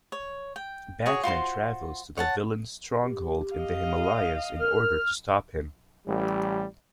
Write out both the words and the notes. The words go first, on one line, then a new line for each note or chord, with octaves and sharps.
Batman travels to the villain's stronghold in the Himalayas in order to stop him.
C#5
G5
F#4 G#4 C#5
F4 F#4 C5 C6
C#5 F#5 A5
G4
D#5 F5
A#4 F6
A1 G3